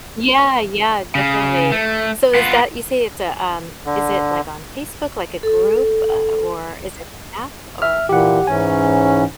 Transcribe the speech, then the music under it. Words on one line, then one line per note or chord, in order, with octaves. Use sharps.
Yeah, yeah, definitely. So, is that you say it's a, um, is it, like, on Facebook, like a group? Uh, or is it an app? Or
C#3
A3
B3 F4
D3
A4
E5 F6
A#2 E3 G4 F#5
G#2 E3 C#4 G#5